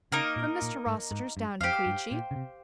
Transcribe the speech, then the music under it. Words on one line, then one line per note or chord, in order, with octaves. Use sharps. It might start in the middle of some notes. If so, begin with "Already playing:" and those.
"From Mr. Rossitur's down to Queechy."
C#3 A#3 D#4 A#4
A#2
A#2
G#2
G#2
G2
F2 G4 C5 F5
G2
A#2
C#3
C3